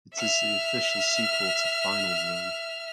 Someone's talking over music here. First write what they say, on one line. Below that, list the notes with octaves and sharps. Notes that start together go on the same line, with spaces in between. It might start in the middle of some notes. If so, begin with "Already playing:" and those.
It is the official sequel to "Final Zone".
E5 F6